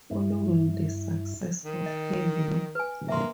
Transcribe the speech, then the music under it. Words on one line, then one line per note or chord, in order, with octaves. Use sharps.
Following the success of Hello?
G2 E4
D#3
D#5
B4 G#5
A#3 E5 C6